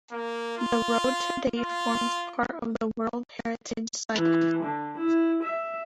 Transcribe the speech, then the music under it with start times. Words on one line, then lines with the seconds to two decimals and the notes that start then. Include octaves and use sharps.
The road today forms part of the World Heritage Site.
0.11 A#3
0.57 F4
1.58 F4
4.14 E3
4.63 D3
4.97 E4
5.42 E5